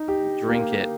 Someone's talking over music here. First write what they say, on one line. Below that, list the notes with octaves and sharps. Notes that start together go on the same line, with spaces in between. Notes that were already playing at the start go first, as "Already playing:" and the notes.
drink it,
Already playing: D#4
G4
A#3